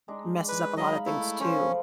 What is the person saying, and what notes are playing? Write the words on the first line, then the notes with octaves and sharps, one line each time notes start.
messes up a lotta things, too.
G#3 D4 D#4
B4
F#3 D#4 D#5 F5 B5
A3 E4
F3 C#4 A4 C5
B5